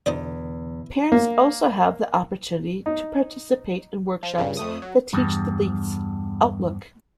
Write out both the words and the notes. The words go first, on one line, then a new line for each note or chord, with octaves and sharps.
Parents also have the opportunity to participate in workshops that teach the leagues' outlook.
E2 B2 D3 E3 D#4 C5 D5
A#3
D#4
F3
G2 A#2 C#3
F2 A3 D#6
F#3
E2 G2